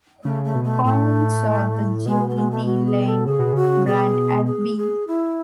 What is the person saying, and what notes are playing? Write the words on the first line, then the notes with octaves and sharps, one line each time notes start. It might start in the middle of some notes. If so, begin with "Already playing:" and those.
Koenig saw the Jimmy D. Lane band at B.
C#3 A3
A3
B2
A3
A2 A3
B2 G#3
A3
G#3
A3
F#4
G#4
A4
C#3 G#4
B2
C#3 F#4
B2 G#4
G#4
G#4
E4